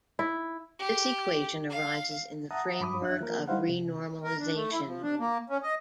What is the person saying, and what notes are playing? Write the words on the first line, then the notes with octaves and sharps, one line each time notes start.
This equation arises in the framework of renormalization group.
E4
G4
F5
E5 F#5 A5 A#5 D#6
G2 B5 D6 D#6
F2 D4 E5 F#6
F3 A#3 A#4
G3 D#4 E4 C5 F5 F#5
C3
A#4
D4
A3
E4
F3
D4
A#3
C#4
D#5